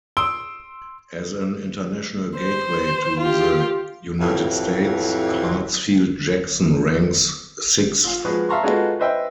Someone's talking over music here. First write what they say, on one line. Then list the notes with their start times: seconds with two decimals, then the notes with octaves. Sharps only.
As an international gateway to the United States, Hartsfield-Jackson ranks sixth.
0.17 C6 D#6 E6 D7 G7
2.37 C5
3.19 F4 G4
4.19 F2 A2 C3 E3 F#3
8.04 F4 F5
8.25 F3 G#3 F#4 G#4 B4
8.49 E5 F5 A5 A#5 C6 C#6
8.63 G#3 D#4 F4 F#4 A4 B4
8.99 B4 C5 D#5 E5 G5